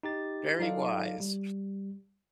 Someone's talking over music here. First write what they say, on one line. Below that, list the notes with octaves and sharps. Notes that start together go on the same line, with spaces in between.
Very wise.
D#4 G4 A6
F#3 D#4 F4 A4 D5 F5
G3